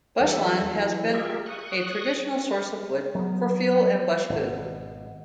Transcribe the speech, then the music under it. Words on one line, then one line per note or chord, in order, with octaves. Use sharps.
Bushland has been a traditional source of wood for fuel and bushfood.
E2 G3 A4 E5
E3 F#3
F4 G4 G#4 A#4 E5
C#6 D#6 F#6
F#3 B3
G#1 B2